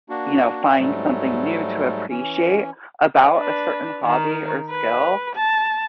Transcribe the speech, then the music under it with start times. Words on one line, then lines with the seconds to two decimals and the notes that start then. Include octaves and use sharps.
you know, find something new to appreciate about a certain hobby or skill.
0.09 A#3 D4 F#4
0.79 G#2 F#3 G3 A3
2.10 E3 C#4
3.36 D4 B4
4.03 D#3 A#4
4.70 B4
5.36 A5